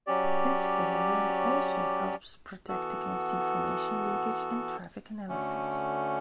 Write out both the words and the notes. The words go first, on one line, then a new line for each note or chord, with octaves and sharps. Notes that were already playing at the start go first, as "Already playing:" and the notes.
This variant also helps protect against information leakage and traffic analysis.
F#3 C#4 G4 D5
E3 B3 F#4 A4
D2 D3 A3 C#4